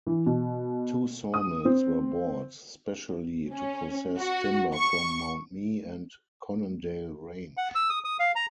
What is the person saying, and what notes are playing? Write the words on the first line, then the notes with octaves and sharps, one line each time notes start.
Two sawmills were bought specially to process timber from Mount Mee and Conondale Range.
E3
B2
D#6
C4
C#4
F#4
C#6
F#5
E6
D#6
D#6
F5
A#5